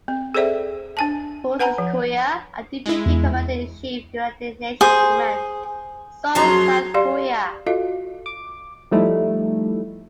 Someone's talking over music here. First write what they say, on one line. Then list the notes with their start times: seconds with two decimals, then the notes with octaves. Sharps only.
Forces Korea and deputy commander in chief, United Nations Command, Seoul, South Korea.
0.08 C4
0.34 G#4 A4 C5 D5 E5 G5
0.97 D4 G#5 A5
1.59 B4 F#5 G#5 A#5 B5
1.78 F3
2.86 G#3 E4
3.06 E2
4.81 G#4 C5
6.35 F#2 F3 F#3 G#4 A#5 C6
6.94 G4 D5 F5 C6
7.67 F4 F#4 A4 D#5 F5
8.26 D6
8.91 F3 G3 A3 D#4 E4